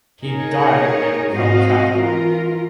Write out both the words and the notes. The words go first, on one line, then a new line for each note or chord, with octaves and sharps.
He died at Calcutta.
D#4 G#4 A#4 C#5
G#2 C4 F#4 D#5 F5
E3 F4 A#4